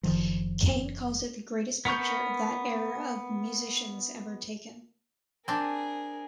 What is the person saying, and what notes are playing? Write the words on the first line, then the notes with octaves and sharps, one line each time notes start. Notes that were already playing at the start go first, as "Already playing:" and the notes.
Kane calls it the greatest picture of that era of musicians ever taken.
F#1 D#3 F3
B3 A#4 C#6 G6
C4 D4 G#4 A#4